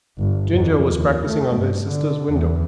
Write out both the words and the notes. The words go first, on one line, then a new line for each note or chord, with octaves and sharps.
Ginger was practising under his sister's window.
G1
F2
D#2
A3
G2
D3
E2